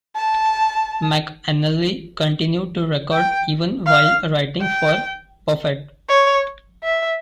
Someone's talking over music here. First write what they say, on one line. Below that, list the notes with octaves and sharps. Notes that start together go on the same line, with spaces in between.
McAnally continued to record even while writing for Buffett.
A5
G5
F5
G5
C#5
E5